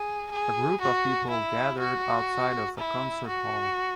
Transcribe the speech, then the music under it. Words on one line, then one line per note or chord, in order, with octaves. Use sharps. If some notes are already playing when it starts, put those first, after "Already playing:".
A group of people gathered outside of a concert hall.
Already playing: G#4
G#4
F#4
E4
F#4
E4
F#4